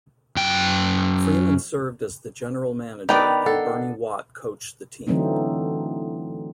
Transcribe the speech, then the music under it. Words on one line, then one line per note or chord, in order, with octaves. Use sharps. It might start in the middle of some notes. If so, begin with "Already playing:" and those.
Freeman served as the general manager and Bernie Watt coached the team.
F#2 G5
D#3 B3 D4 D5 G5 B5
A4 F#5
D3 E3 F#3 A3 C4 D#4